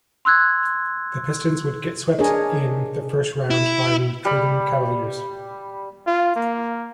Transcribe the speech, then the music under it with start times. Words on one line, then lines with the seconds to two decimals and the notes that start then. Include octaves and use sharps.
The Pistons would get swept in the first round by the Cleveland Cavaliers.
0.25 C6 E6 F#6 G#6
2.19 D4 G#4 A#4 C#5 D#5
3.50 E4
4.25 G3 B5
6.07 F4
6.36 A#3